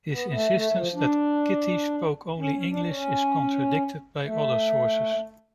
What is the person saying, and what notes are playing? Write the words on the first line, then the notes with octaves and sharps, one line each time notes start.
His insistence that Kitty spoke only English is contradicted by other sources.
B3
A3
A3
F3
D4
C#4
C#4
D4
C#4
A3